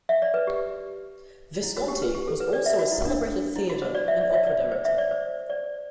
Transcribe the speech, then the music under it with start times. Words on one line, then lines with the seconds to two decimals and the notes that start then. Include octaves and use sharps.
Visconti was also a celebrated theatre and opera director.
0.09 E5
0.22 D5
0.34 B4
0.47 G4
1.63 E4
1.76 F#4
1.88 G4
2.02 B4
2.15 G4
2.28 A4
2.40 B4
2.53 D5
2.66 E5
2.79 F#4
2.92 E4
3.05 D4
3.56 E4
3.70 F#4
3.82 C5
3.95 D5
4.08 E5
4.21 D5
4.34 E5
4.47 D5
4.72 C5
4.85 E5
4.98 D5
5.11 C5
5.50 D5